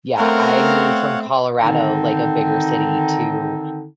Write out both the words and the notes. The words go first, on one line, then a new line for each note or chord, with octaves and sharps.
Yeah, I moved from Colorado, like, a bigger city to,
A3 B3 C4 A#4 C#5 F5 F#5
D3 D#3 C4 D#4